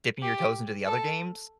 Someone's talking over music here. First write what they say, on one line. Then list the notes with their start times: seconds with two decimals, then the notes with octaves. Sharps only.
dipping your toes into the other games?
0.22 G4
0.86 A4